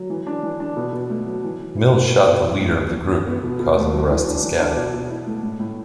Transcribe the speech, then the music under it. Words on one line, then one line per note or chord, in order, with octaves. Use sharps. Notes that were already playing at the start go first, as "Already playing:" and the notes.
Mills shot the leader of the group, causing the rest to scatter.
Already playing: F#3
E3
D4
E3
D4
B2
B2
A3
F#3
E3
E3
E4
A3
B2
B2
E4
A3
E3
E3
E4
B3
B2
B2
A3
F#3
E3
D4
E3
D4
B2
B2
E4
A3
A2
A2